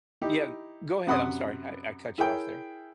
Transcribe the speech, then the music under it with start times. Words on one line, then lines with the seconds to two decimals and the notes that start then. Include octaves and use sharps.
yeah, go ahead. I'm sorry. I I cut you off there.
0.22 D#4 E4 G4
1.07 F#2 C3 F#5 B5 C6 D#6
2.18 E4 G#4 A#4 C#5 G5